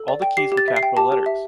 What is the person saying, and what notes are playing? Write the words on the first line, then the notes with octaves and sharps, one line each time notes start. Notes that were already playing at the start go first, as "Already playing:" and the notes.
All the keys were capital letters.
Already playing: A4
D5
G5
G4 C7
G4
A6
E5
C7
G5
G4 A5
G4
E5